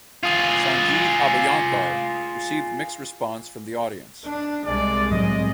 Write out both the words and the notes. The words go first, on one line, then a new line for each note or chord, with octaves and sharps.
Sanjeev Abhyankar received mixed response from the audience.
F4 G#4
D4
C2 G#3 D5
A2 F#3 C4 D#5